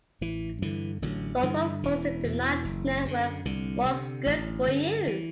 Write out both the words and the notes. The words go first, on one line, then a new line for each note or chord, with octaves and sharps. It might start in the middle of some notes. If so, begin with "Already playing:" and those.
Thornton hosted the Nine Network's "What's Good For You".
A1 E3
G2 D3 E3
A1 D3 F#3
G2 D3 E3
E1 E3
E2 B2
F#1
F#2 D3
C2 D3
C3
A1
G2 D3
E3